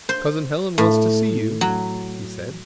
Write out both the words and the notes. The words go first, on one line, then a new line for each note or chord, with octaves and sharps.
"Cousin Helen wants to see you," he said.
C5
A2
F#3